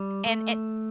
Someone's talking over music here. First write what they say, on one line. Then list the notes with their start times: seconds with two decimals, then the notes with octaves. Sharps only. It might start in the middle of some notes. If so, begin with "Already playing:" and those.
And and
Already playing: G3
0.26 A3